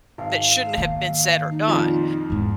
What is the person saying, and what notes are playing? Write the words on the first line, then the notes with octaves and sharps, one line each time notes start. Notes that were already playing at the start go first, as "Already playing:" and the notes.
that shouldn't have been said or done,
G#1 F5
D#3 A#3
D#4
F2 A#2 F3
E2 G#2